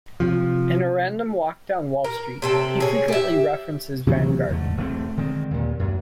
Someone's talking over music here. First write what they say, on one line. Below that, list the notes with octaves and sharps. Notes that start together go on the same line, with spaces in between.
In A Random Walk Down Wall Street, he frequently references Vanguard.
C3 F3
A#4
C3 C4 A4
G#4 C#5
G4 E5
C3 E3 F#3 A#3
E2 G#2 D3 A3
E1 A3 C4
D3 D#3 G#3 C4
D#2 A#2
F#2